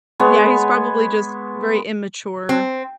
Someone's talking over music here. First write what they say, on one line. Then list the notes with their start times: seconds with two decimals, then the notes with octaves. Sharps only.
Yeah. He's probably just very immature.
0.20 G#3 B3 C#5
2.49 C4